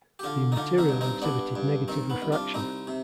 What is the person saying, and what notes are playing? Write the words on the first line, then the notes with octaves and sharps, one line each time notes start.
The material exhibited negative refraction.
G4
D3 D4 F4
D#4
D3 D4 F4
C4 D#4
G2
C4 D#4
G2 B3 D4
G2
D#3 C4
B3
C2
D4 F4
C2 C4 D#4
C3